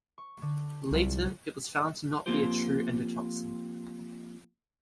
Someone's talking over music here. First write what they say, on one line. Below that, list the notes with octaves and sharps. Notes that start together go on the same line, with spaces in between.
Later, it was found to not be a true endotoxin.
C#6
D3
C2 F#3 F4
F3 A#3 C4 F4 G4 C5